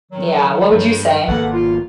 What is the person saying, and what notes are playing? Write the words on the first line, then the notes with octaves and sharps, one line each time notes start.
Yeah, what would you say?
A2 D#3 F#3
G2
G#1 B2 A#3 A4 B4 F#5
F4